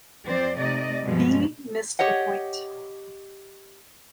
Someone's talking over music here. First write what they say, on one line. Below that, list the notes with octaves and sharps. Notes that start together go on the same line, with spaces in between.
B missed the point.
F2 C4 C5 D5
C3 A3 D#4 D5 D#5
G2 B2 F3 G#3
G4 C#5 D#5 F#5